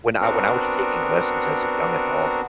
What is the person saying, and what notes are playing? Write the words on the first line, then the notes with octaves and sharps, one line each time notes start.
when I when I was taking lessons as a young adult,
B3 C4 D4 F#4 A#4